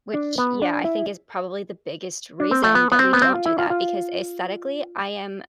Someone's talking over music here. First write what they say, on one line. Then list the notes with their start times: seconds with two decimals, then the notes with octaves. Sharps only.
Which, yeah, I think is probably the biggest reason that we don't do that because aesthetically, I am,
0.14 D4
0.38 B3
0.62 D4
0.84 E4
2.40 D4
2.51 C4
2.64 A3
2.75 B3
2.92 B3
2.99 C4
3.13 B3
3.22 C4
3.34 F4
3.46 E4
3.58 F4
3.70 F4